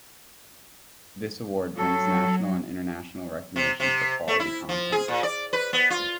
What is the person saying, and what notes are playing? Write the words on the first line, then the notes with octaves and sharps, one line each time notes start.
This award brings national and international recognition for quality content.
F#3 A4
C3
C3
A3
E4
F3
G#4
A#2
D5
B4
B3
F4